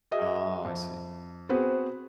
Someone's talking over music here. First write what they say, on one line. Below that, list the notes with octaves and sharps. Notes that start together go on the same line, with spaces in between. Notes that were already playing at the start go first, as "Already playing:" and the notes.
Oh, I see.
F#4 G#4 D#5 E5
F2
B3 C4 F#4 G#4 B4 C5